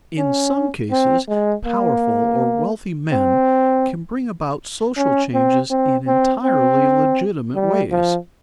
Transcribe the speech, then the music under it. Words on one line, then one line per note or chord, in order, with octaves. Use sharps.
In some cases powerful or wealthy men can bring about social changes in entirely legitimate ways.
C#4
C4
G#3
A#3
C4
C#4
C4
C4
C4
C4
G3
F3